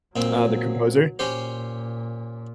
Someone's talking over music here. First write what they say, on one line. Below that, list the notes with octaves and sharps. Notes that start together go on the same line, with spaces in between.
uh, the composer.
A#2 F#3 C4
A#2 C#4 G4 C5